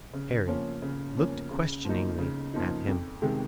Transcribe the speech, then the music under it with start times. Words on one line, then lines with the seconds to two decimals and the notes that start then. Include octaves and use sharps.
Harry looked questioningly at him.
0.13 C#3
0.48 F3 A#3 C#4
0.82 C#3
1.17 F3 A#3 C#4
1.51 C#3
1.85 F3 A#3 D#4
2.19 C#3
2.54 F3 A#3 D#4
2.87 F2
3.22 C3 D#3 G#3